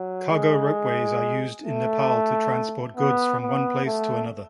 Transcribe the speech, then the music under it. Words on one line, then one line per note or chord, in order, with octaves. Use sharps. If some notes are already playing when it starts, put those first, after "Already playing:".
Cargo ropeways are used in Nepal to transport goods from one place to another.
Already playing: F#3
G#3
A3
B3
B3
A3